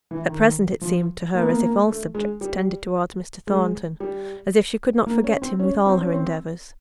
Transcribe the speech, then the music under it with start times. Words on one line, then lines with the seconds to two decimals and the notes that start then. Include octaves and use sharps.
At present it seemed to her as if all subjects tended towards Mr. Thornton; as if she could not forget him with all her endeavours.
0.11 E3
0.29 D#3
0.81 F3
1.35 A#3
1.42 B3
1.50 A#3
1.62 A#3
1.88 A3
2.15 G#3
2.41 G3
3.47 G#3
4.00 G3
5.07 A#3
5.24 C#4
5.42 C4
5.59 C#4
5.86 C4
6.01 C#4
6.13 C4